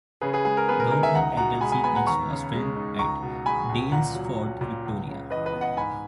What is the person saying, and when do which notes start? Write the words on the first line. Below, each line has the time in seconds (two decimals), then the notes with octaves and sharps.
The opening title sequence was filmed at Daylesford, Victoria.
0.21 C#3 G#4 B4
0.33 G#4 B4
0.45 G#3 G#4
0.57 A#4
0.68 B3 G#4 B4
0.80 A#4
0.91 D#4 A#4
1.03 E5 G#5
1.15 C#2 F#5 A#5
1.37 B2 F#5 A#5
1.61 G#3 G#5 B5
1.72 G#5 B5
1.83 B3 G#5 B5
1.95 F#5 A#5
2.07 D#2 A#5 C#6
2.30 C#3
2.53 G#3
2.76 D#4
2.99 C#2 A#5 C#6
3.22 B2
3.46 G#3 G#5 B5
3.69 C#2
3.92 A#2 F#5 A#5
4.15 F#3
4.39 C#4
4.61 A#2
4.85 C#2
5.08 C#3
5.30 E3 B4 D#5
5.46 B4 D#5
5.54 B3
5.61 D#5 F#5
5.77 G#2 G#5 B5